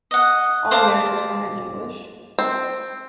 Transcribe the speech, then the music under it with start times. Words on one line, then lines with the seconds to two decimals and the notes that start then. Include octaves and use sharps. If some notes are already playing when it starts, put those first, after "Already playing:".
All lyrics are sung in English.
0.11 D#5 F#5
0.71 C5 D5 F5 A5
2.39 C4